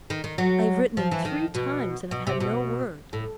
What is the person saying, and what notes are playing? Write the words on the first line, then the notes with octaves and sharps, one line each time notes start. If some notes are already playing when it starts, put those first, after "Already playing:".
I have written him three times and have had no word.
D#3
D#3
F#3
F3
E3
D#3
B2
B2
C3
B2
A2